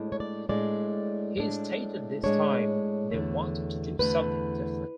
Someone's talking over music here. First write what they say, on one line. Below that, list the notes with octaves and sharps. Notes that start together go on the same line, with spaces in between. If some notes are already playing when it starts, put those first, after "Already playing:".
He stated this time they wanted to do something different.
Already playing: A2 G#3 D4
C#5
D5
A2 G#3 D4 D5
A2 G#3 D4
A2 G#3 D4 C#5
E2 D3 A3
E2 D3 A3 B4